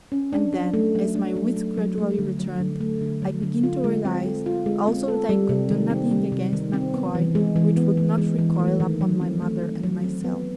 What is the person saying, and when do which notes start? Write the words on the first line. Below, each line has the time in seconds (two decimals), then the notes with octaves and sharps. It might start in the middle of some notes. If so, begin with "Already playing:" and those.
And then, as my wits gradually returned, I began to realize also that I could do nothing against MacCoy which would not recoil upon my mother and myself.
0.12 C#4
0.33 D4
0.53 F#3
0.74 A3
0.95 F#3
1.15 D4
1.36 F#3
1.56 A3
1.77 F#3
1.98 A3
2.19 D3
2.39 F#3
2.60 D3
2.81 A3
3.01 D3
3.22 F#3
3.42 D3
3.63 F4
3.84 G#3
4.05 C4
4.25 A4
4.46 F4
4.66 G#3
4.87 C4
5.08 A4
5.29 G3
5.49 C3
5.70 D#3
5.90 C4
6.11 G3
6.32 C3
6.53 D#3
6.73 C4
6.94 B3
7.15 E3
7.35 G#3
7.56 E3
7.77 B3
7.97 E3
8.18 G#3
8.38 E3
8.59 A3
8.80 D#3
9.01 F#3
9.21 C4
9.42 A3
9.63 D#3
9.83 F#3
10.04 C4
10.24 B3